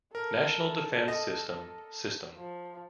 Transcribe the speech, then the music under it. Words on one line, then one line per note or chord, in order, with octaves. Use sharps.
National Defense System System.
A4 A#4
D#5
F3